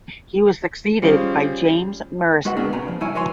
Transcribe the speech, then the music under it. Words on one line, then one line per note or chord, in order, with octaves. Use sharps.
He was succeeded by James Murison.
G3 C#4 F4 G#4 C5
G#3 F#4 B4 F#5
B3 C4 D4 F#4 G#4 A#4
A#2 C#3 B4 A#5
F3
C#2 G2 E4 C#5 G#5
F#4 B4 C#5 G#5 C6